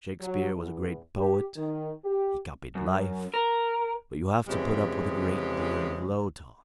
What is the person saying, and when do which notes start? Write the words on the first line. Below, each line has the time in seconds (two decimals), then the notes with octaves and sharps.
"Shakespeare was a great poet; he copied life, but you have to put up with a great deal of low talk."
0.21 F#3
0.55 E2
1.18 G4
1.57 D#3
2.05 G4
2.75 F#2
3.34 A#4
4.48 F2 C#3 E3 G#3 G4